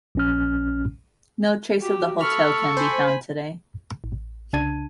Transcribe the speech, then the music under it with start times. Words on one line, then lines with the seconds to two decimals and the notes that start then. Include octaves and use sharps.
No trace of the hotel can be found today.
0.15 A#1 C#4 F6
1.80 F#4 G4
2.21 A4 B5 C#6 F6
2.77 C5 G#5 B5
4.04 A1
4.53 C2 C#3 D4 A5 G#6 D#7